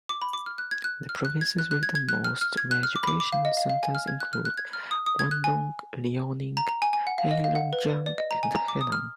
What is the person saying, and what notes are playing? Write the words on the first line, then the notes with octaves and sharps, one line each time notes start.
The provinces with the most re-education centers include Guangdong, Liaoning, Heilongjiang, and Henan.
D6
B5
D6
F6
F#6
G#6
F#6
F6
F#6
G#6
F#6
F#6
G#6
G#6
F#6
F6
F6
G#6
F#6
F6
D6
B5
D6
D6
F5
D#5
F5
F5
G#5
F6
G#6
F#6
F6
F#6
G#6
F6
D#6
D#6
G#6
F#6
G#5
A#5
A#5
G#5
G#5
F#5
F5
D#5
F5
F#5
B4
D5
D5
D#5
A#5
G#5
A#5
D6
D#6
F6